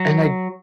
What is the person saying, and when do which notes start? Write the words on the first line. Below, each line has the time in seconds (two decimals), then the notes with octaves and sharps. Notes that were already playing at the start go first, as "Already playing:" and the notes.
And I
Already playing: F#3